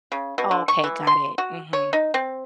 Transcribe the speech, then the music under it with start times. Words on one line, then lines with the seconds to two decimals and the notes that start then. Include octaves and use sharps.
Oh, okay, got it, mhm.
0.12 C#3
0.38 B2
0.51 D3
0.68 C#6
0.84 E3
1.07 C6
1.38 F#4
1.73 C#5
1.93 D#4
2.14 C4